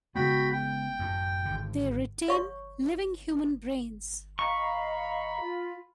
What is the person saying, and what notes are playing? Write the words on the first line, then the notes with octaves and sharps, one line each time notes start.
They retain living human brains.
C#3 G#3 B3 F#4 G5 B5
G5
F#2 A2
G#1 D3
C#5 C#6
D#5 F5 A#5 B5 C#6
F4